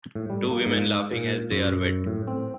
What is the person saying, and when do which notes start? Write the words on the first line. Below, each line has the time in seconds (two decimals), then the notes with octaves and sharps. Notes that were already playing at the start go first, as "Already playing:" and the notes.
Two women laughing as they are wet.
0.15 A2
0.30 G3
0.51 A#3
0.66 G#2
1.13 A#2
1.51 F#2
2.07 A2
2.27 C4